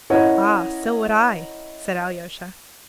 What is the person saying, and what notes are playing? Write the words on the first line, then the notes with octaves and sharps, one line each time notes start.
"Ah, so would I," said Alyosha.
C#4 E4 A#4 C#5 D#5 F#5